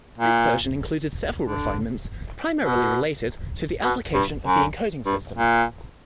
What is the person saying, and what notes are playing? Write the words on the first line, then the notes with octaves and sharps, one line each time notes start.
This version included several refinements, primarily related to the application of the encoding system.
A#2
D3
B2
B2
G2
F#2
G2
A#2